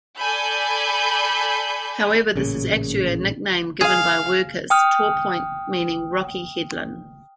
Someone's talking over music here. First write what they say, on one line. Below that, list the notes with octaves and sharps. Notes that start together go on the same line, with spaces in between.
However this is actually a nickname given by workers, Torpoint meaning "rocky headland".
A4 D5 G#5 B5 G6
A1 A#2 C#3
G#4 F5
G5 D#6 F6